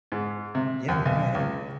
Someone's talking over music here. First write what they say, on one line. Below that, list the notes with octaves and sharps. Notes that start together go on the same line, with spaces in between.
Yeah, yeah, yeah,
G#2
C3
D#2
B1
C#2